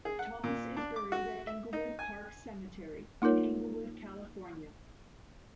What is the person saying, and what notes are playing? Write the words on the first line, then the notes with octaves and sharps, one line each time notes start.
Thomas is buried at Inglewood Park Cemetery in Inglewood, California.
G#4
F#5
A#2
D4
D6
F#4
E5
D#4
G#5
A#3 D#4 F4 A#4 C#5